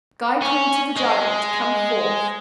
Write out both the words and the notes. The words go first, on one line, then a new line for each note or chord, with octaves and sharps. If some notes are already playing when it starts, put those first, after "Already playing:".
Guy called to the giant to come forth.
C#4
G#3